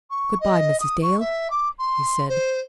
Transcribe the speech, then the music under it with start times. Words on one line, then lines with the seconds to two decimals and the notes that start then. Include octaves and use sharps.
"Good-by, Mrs. Dale," he said.
0.10 C#6
0.41 D#5
0.80 D#6
1.02 C#6
1.20 E5
1.50 D6
1.78 C6
2.29 C5